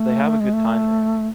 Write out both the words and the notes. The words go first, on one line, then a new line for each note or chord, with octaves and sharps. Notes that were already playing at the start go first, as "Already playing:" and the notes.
They have a good time there.
Already playing: A3
G#3
A3